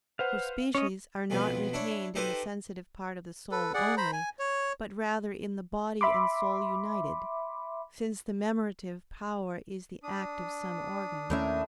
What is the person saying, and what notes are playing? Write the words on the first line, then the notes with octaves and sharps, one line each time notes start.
For species are not retained in the sensitive part of the soul only, but rather in the body and soul united: since the memorative power is the act of some organ.
B4 C5 F5 F#5
C#4 C#5 D#5
B1 F2 F3 B3
D4 E4 C#5
D#4 G4 A4 B4 C5
A4 B4
G#4 D5 F#5
C5 A#5 B5
G#5
C#5
E5 B5 C6 D6
D4 D#6
D#2 A2 A3 C#4 A#4 E5